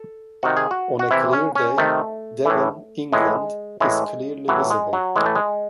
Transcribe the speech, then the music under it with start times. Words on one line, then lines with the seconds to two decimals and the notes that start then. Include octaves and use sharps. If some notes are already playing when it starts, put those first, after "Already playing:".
On a clear day, Devon, England, is clearly visible.
Already playing: A4
0.43 C3 D#3 F#4
0.57 G#4
0.71 F#4
0.99 F#4
1.11 C3 E3 E4
1.33 C#4
1.55 C#4
1.78 C3 D#3 A3
2.45 A2 E3
3.12 A2 E3 G#3
3.80 A2 E3 G#3
4.48 A2 E3 F#3
4.70 G#3
4.93 F#3
5.16 A2 E3 G#3
5.26 A3
5.35 G#3